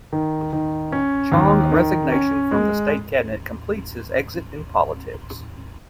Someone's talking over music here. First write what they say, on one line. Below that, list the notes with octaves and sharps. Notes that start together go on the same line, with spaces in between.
Chong resignation from the state cabinet completes his exit in politics.
D#3
D#3
C#4
D#2
D#3
C#4
G#3